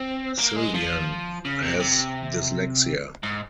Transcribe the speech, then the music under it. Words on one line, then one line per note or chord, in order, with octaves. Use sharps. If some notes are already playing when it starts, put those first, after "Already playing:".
Sylvain has dyslexia.
Already playing: C4
A#3
G#3
F3
C#3
C3
A#2
C3
G#2